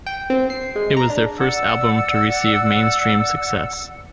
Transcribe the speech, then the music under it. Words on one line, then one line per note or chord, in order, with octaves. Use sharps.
It was their first album to receive mainstream success.
G5
C4
C7
G#3
A#5
D4
D5 F#5 E6